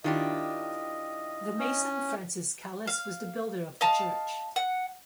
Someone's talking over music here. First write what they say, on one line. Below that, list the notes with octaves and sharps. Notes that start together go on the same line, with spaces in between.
The mason Francis Callus was the builder of the church.
D#3 D4 E4 F4 G4 D#5
C#4
F5
D#5 F5 A5
F#5